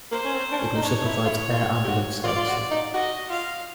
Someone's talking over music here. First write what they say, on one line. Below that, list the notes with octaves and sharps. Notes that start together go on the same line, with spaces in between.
It also provides air ambulance services.
A#3 C5
C#4
C4
D4
C#4
D#4
D4 C#5
E4
F4
E4
F4
G4
F#4
F4 D5
F4
F#4
D#4
F#4 D#5
F4 F5